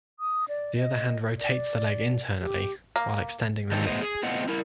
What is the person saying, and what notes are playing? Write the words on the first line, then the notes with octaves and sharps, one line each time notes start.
The other hand rotates the leg internally while extending the knee.
D#6
D5
D#5
D5
G4
A#3
D3 D#3 F#3 C4 G4 A4
A3 B3 G#4 C5 D#5
G#4
A2 B3 C4 F4 D#5 F#5
E4 A#4